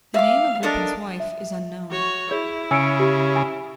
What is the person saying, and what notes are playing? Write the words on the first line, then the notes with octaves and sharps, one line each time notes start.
The name of Roupen's wife is unknown.
E5 F5 D6
D4 A4 A#4 D#5
E5
F#4 C#5
E4 G#4 C#5
C#3 G#5 E6 C#7 D7
G4
G#5 B5